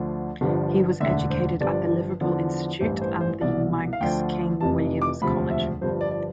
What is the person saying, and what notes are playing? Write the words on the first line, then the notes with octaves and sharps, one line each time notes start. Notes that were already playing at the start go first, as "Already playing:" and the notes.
He was educated at the Liverpool Institute and the Manx King William's College.
Already playing: D2 D3 F3
G1 G2 D3 F3
E1 D2 D3 E5
C5
G1 G2 F3 D5
E2 D3 F3
A1 G2 E3 C5
C5
C5
C2 B2 D5
F5
D2 D3 F3 G5
F1 F2 C3 E3 A5
D6
E1 D2 C3 F3 B5
E5
G1 G2 F3 C5
D5
D5